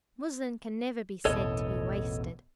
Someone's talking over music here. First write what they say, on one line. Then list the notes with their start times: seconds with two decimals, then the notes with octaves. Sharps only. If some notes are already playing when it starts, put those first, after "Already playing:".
Muslin can never be said to be wasted.
1.25 A1 E2 B2 A4 C#5 D#5